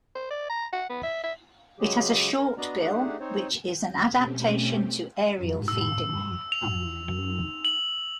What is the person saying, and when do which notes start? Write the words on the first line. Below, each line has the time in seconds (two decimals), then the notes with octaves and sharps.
It has a short bill, which is an adaptation to aerial feeding.
0.15 C5
0.31 D5
0.50 A#5
0.73 F#5
0.90 B3
1.03 E5
1.24 E5
1.80 C#3 F#3 G#3 G4 G#4
2.38 A#4
2.58 B3 D4 F#4 D5 D#5 A#5
2.80 A3 D4 D#4 G4 G#4 F#5
3.20 C4 D#4 C5 C#5
4.09 B2 A3 C4 C#4 G4
5.68 E6
6.52 F7
7.65 F#7